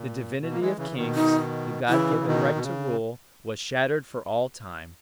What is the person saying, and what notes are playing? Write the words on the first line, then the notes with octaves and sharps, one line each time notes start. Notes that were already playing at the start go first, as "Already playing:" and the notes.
The divinity of kings, the God-given right to rule, was shattered for all time.
Already playing: A#2
B2
A#3
E3 G#3
C#3 E3
C#3
B2 D#3
D#4
C#3 E3 E4
B2
C#3
B2 D#3
B2
C#3